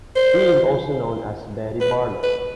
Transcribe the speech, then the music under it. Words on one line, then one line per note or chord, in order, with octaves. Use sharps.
She is also known as Betty Barlow.
C5
B4
B4